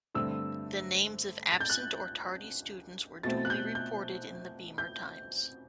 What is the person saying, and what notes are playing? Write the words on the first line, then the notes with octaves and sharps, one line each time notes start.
The names of absent or tardy students were duly reported in the Beemer Times.
G2 D3 A3 C4 E6
A6
G6
F#6
B2 A3 C4 A6
F#6
G6
G6
G6